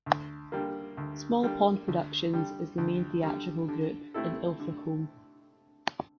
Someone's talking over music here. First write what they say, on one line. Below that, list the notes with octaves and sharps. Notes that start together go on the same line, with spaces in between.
Small Pond Productions is the main theatrical group in Ilfracombe.
D2
D3 G3 A#3
D2
D3 G3 A#3
D2
D3 G3
D2
D3 G3
D3
A3 C4 E4 A4
D3